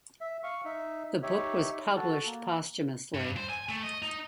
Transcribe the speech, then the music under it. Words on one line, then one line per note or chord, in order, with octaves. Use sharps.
The book was published posthumously.
E5
F5 C#6
D#4 E5
D#4 G4 C#5 E5
F#4 A4
A#3
G2
C5
G#5
A3
D#5
D#4